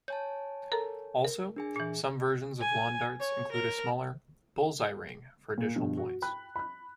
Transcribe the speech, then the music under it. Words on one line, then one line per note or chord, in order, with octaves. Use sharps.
Also, some versions of Lawn darts include a smaller "bulls-eye" ring for additional points.
C#5 G#5 A5 G6
A4 A#4 A#5
A#4
D4 G#4 G#5
A#2 E3 G#4
G#5
C#5
A#4
A#2
G2 B2 F3
F#4
G5 B5 F#6
B5 F#6